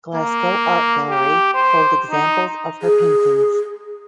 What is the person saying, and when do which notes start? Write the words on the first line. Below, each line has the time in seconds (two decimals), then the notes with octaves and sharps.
Glasgow Art Gallery hold examples of her paintings.
0.15 A#3
1.10 G4
1.55 C5
2.11 D#4
2.82 G#4